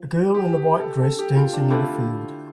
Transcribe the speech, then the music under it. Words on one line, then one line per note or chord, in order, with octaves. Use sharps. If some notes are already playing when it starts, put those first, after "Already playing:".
A girl in a white dress dancing in a field.
Already playing: F3
G4
G4
A4
A4
G4
F4
D4
D3 A3 E4 F4 G4